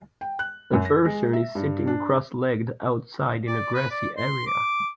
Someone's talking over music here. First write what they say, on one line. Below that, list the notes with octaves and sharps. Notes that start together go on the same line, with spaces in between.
A person is sitting cross legged outside in a grassy area.
G5
F#6
F#2
A#6
G#3
E5
G2
D4
D5
B4
D5
C6
D6